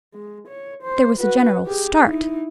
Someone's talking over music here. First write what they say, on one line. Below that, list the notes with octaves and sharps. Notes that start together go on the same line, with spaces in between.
There was a general start.
G#3
C#5
C5
F#4 B4
G4 G#4
D#4 E4